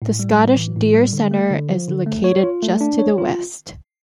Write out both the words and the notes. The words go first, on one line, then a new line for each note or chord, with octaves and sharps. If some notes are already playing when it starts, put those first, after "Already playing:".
The Scottish Deer Centre is located just to the west.
A2
G3
A2
E3
A2
G3
D3
A3
D3
F3
D3
A3
C#5
F4
A3
D4
C#5
F4